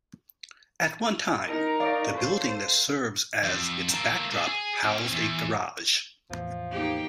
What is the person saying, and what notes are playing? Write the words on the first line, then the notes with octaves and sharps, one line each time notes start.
At one time, the building that serves as its backdrop housed a garage.
D#4 A#4
C#5 D5 F5
A4 C5
F2
A#3 A4
G#4 A4
G#4
C4 C#4
E2
E2 A2 F3
A#3 D#4 G4